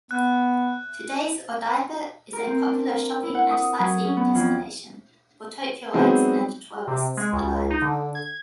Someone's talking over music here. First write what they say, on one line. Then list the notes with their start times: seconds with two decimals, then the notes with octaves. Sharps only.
Today's Odaiba is a popular shopping and sightseeing destination for Tokyoites and tourists alike.
0.11 B3 F#6
2.33 A#4
2.47 C4
2.67 D4
2.89 A#4
3.23 E4
3.35 F#5
3.51 D#6
3.79 F#3
4.04 C#4
4.17 B3
4.35 F2
5.93 F#3 G#3 B3 C4 D#4 C5
6.87 C3
7.17 G#3
7.33 C#2
7.70 D#4
7.82 D3
8.15 G#6